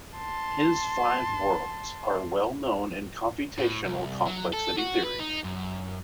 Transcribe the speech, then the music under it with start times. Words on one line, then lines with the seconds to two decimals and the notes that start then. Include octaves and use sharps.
His "five worlds" are well known in computational complexity theory.
0.17 A5 C6
3.59 A2
3.85 C2
4.26 F#3
4.53 A4
4.79 F#4
5.05 B4
5.20 D#4
5.44 F#2